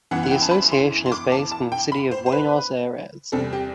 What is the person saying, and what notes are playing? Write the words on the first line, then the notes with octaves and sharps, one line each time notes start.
The association is based in the city of Buenos Aires.
F#2 E3 B3 E4 F#5
F#5
G5
A5
B5
C6
C6
D6
A5
A5
G5
B5
C5
C5
B4
E2 C3 G3 C4 A4
G4